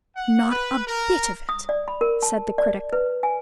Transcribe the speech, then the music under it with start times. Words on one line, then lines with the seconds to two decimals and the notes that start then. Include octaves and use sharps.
"Not a bit of it," said the Critic.
0.15 F#5
0.49 B4
0.85 A#4
1.49 D#6
1.69 D5
1.88 B5
2.01 A#4
2.23 A5
2.58 D5
2.93 B4
3.23 G#5